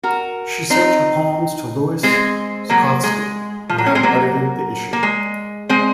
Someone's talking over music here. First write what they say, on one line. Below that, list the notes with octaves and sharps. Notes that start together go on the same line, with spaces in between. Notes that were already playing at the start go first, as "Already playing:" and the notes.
She sent her poems to Louis Zukofsky, who had edited the issue.
F#4 A#4
C4 D#4
G#3 C4
F#3 A#3
G#3
F3
F#3
A#3 C#4
G#3 C4
F#3 A#3
A#3
G#3
G#3 C4